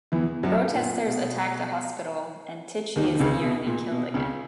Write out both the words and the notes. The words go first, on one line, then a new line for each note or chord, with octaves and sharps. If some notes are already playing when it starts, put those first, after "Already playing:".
Protesters attack the hospital, and Tichy is nearly killed again.
E2 E3
F#2 F#3
A#2
B2
D#2 D#3
D#3
C#2 C#3
B2
A#2
B2
C#2 C#3